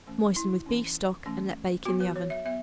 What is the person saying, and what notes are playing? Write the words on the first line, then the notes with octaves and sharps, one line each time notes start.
Moisten with beef-stock and let bake in the oven.
E3 A3 C#4
E4
E3 C#4
E3 A3 C#4
F#3 B3 F#4
B4
C#5
E5
B3 E5